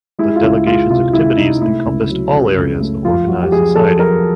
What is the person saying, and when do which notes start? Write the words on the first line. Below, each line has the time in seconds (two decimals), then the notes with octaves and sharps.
The Delegation's activities encompassed all areas of organized society.
0.19 G#3 E4
0.36 F4
0.42 C#2 E4
0.67 G#3 F4
0.90 C3 F4
1.13 G#3 E4
1.37 C3 D#4
1.61 A3 E4
1.85 C#2
2.09 F#3
2.33 C#3
2.57 C#2
2.81 A3
3.04 F2 F4
3.28 F#3 F#4
3.43 G4
3.52 F2 G#4
3.75 F2 A4
3.99 F#3 A#4